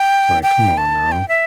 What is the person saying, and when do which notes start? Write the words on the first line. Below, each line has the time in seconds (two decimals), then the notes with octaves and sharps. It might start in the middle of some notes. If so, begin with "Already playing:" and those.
It's like, come on now,
Already playing: G5
0.43 G5
0.77 A5
1.12 G5
1.28 E5